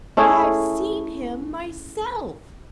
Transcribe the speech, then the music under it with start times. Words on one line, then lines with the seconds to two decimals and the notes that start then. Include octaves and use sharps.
"I've seen him myself!"
0.17 A3 C#4 E4 G#4